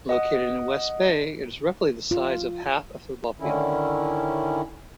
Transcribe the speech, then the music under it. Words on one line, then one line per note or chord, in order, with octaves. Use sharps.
Located in West Bay, it is roughly the size of half a football field.
D#5 F#5 D#6
F4
D3 D#3 C#4 E4